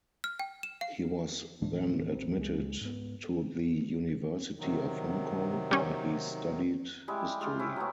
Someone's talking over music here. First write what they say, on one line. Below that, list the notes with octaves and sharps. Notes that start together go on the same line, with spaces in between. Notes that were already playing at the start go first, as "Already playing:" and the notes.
He was then admitted to The University of Hong Kong, where he studied history.
F6
G5
E7
F5
D2 A2 E3 D4
A1 C4
C#2 G#3
G#2 B3
C3 D#3 F#3
G3 C#4
G3 G#3 E4
G#3 F4 G4
C#4 E4
F#3 A3 B3